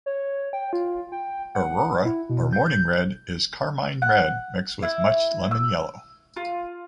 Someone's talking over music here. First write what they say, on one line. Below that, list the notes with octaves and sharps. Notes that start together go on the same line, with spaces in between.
Aurora or morning red is carmine red mixed with much lemon yellow.
C#5
G5
F4
G5
F#5
E4
B2
G6
F#5
E4
E6
F4